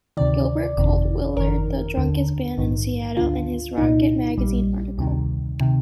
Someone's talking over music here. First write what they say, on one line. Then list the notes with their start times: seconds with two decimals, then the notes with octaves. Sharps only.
Gilbert called Willard the "drunkest band in Seattle" in his Rocket magazine article.
0.17 D2 C3 D#3 D5
0.77 G1 F2 C3 D#3
1.37 G1 F2 D#3 A#4
1.97 D#2 D3
2.57 A#1 G#2 D#3
3.17 D2 D3 F4
3.78 C2 A#2 D#4
4.38 A#1 A#2 G3
4.98 D2 C3 D#3
5.61 C3 D#3